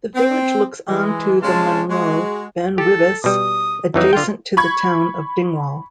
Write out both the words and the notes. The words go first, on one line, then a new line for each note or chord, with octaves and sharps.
The village looks onto the munro Ben Wyvis, adjacent to the town of Dingwall.
C4
E3 G#3
C3 G#3 C#4 F4 A5
G#3 F#4
G4 A4
B2 G3 D#6
F2 E3 F#3 D#4
D3 F4 G5
B5 C#6 G#6